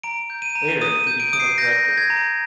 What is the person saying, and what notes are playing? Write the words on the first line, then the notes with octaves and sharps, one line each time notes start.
Later, he became a corrector.
A#5 D7
G6
D#7
A#5
D#6 D#7
D#7
G6
D7
D#6 D7
C7
G6 A#6
G6
G#6
A#5